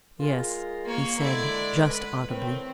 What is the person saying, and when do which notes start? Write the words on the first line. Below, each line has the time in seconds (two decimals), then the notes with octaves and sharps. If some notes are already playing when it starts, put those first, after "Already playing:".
"Yes," he said, just audibly.
0.20 G#3 F4 A#4
0.85 A#3 C#5
1.19 D3 G#3 E4 D5
1.84 B4
2.28 A2 D#3 C4